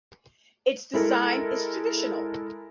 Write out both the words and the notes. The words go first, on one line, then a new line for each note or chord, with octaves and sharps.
Its design is traditional.
G#3 E4 A4 A#4